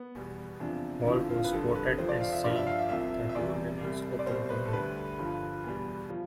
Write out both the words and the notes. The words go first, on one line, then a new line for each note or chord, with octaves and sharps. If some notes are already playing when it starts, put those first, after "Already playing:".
Hall was quoted as saying "the door remains open to him".
Already playing: B3
E2 B2 G3
E2 C3 F3 D4
F2 D3 F3 E4
F4
B4
F2 D3 G3 A4
B4
F2 C3 F3 C5
D5
F5
E5
G2 F3 D5
E5
F5
E5
C2 C3 F3 E5
E5
E2 C3 E3 G3 D5
C2 C3 G3
D5
C2 B2 G3 C5
B4
A4
D2 D3 G3 B4
G2 D3 F3
E2 B2 G3
F3